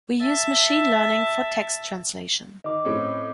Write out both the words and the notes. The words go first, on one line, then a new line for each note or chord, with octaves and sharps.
We use Machine Learning for text translation.
E5 A5
D#3 D#5 D6
A2 C4 C#4